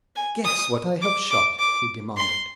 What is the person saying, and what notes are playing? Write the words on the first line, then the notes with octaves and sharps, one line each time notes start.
"Guess what I have shot," he demanded.
G#5
D#6
D6
D6
D6
C6